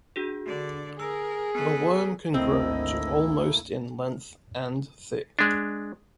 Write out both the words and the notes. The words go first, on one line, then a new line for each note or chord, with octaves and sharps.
The worm can grow to almost in length and thick.
D4 F#4 G#4
D3 D5
G#4 A#4 E6
B3 A4 B4
G#1 D2 A#3 C4 E4 A4 D#5
G#3 D4